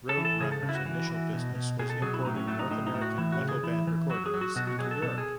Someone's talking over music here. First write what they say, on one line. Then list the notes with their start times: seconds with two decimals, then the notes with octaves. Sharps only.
Roadrunner's initial business was importing North American metal-band recordings into Europe.
0.09 A4
0.17 E3
0.25 A4
0.40 C#3 G#4
0.52 A4
0.62 C#3
0.69 E4
0.75 F#4
0.86 E3
1.10 E3
1.33 B2
1.55 B2
1.79 B2 G#4
1.90 A4
2.02 F#3 G#4
2.14 E4
2.25 A2 D#4
2.36 C#4
2.47 F#3 A3
2.59 D#4
2.71 A2 D#4
2.87 D#4
2.94 A2
3.01 F#4
3.18 E3 E4
3.32 F#4
3.41 C#3
3.49 G#4
3.63 E3 E4
3.87 E3
4.10 F#3 F#4
4.26 G#4
4.34 F#3
4.41 F#4
4.56 B2 F#4
4.67 F#4
4.79 F#3 G#4
4.91 A4
5.02 B2 A4
5.18 G#4